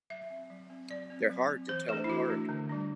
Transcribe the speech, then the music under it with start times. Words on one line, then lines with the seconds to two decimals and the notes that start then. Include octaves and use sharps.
They're hard to tell apart.
0.10 F#3 E5
0.30 C4
0.50 F#3
0.70 C4
0.90 F#3 D5
1.10 C4
1.30 F#3
1.50 C4
1.69 E3 C5
1.89 A3 D4 A4
2.04 E4
2.09 E3 F#4
2.30 A3 D4
2.49 D3
2.70 G3 D4